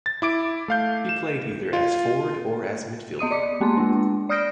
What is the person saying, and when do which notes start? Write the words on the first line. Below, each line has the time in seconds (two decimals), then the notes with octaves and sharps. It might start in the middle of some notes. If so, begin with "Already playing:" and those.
He played either as forward or as midfielder.
0.06 A6
0.22 E4 D6 D7
0.68 A3 F5 G6
1.09 E7
1.73 F4
3.19 B3 D#5 D#6 D#7
3.31 D5 D6 C#7
3.60 G#3 A#3 B3 C6
3.77 G#3 D4
4.29 D5 D#6 F6 G6 A#6 D7